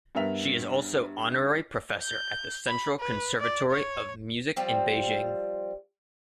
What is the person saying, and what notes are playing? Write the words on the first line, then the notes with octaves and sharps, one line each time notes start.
She is also honorary Professor at the Central Conservatory of Music in Beijing.
G2 B3 A#4 E5 F7
G6
B5
B4
D5
C#5
F3 G3 C4